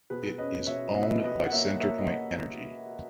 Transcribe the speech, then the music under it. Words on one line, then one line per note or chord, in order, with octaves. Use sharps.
It is owned by CenterPoint Energy.
B2 G#4 B4
C#4 B4 D#5
B2 C#5 E5
B2 D#5
E5
B4 D#5
B2 B4 D#5
F#5
A#3 C#5 E5
A#3 C#5 E5
D#5